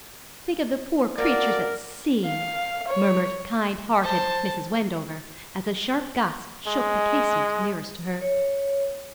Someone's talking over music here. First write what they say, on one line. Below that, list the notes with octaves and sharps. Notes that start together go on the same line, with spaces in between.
'Think of the poor creatures at sea!' murmured kind-hearted Mrs. Wendover, as a sharp gust shook the casement nearest to her.
A#3 D4 F#4 A#4 D5
F5
C#5
C5 A5
G#3
C#5